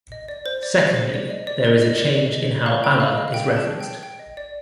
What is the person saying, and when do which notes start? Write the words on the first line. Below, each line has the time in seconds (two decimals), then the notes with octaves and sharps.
Secondly, there is a change in how Allah is referenced.
0.12 D#5
0.28 D5
0.46 C5
0.63 D5
0.80 C5
0.96 C5
1.14 D5
1.30 D#5
1.47 D5
1.65 A#4
1.82 D#5
1.98 D5
2.33 D#5
2.66 F5
2.84 G5
3.00 F5
3.18 D#5
3.28 F5
3.34 G5
3.57 A5
3.81 G5
4.03 G5
4.19 D#5
4.37 D5